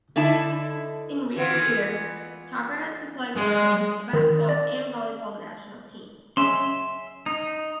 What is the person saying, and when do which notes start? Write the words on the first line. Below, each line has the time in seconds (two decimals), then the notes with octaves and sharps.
In recent years, Topper has supplied garments for the basketball and volleyball national teams.
0.16 D3 D#4 E4 A5
1.36 E3 B3 F4
3.36 G#3
4.13 D#3
4.49 D5
6.37 C#4 E5 C6
7.26 D#4